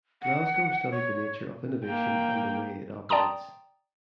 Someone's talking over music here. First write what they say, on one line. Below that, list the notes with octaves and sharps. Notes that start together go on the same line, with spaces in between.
Glasgow studied the nature of innovation and the way it operates.
F#5
C#5
A#3 G5
D5 G5 A5 A#5 C6 D#6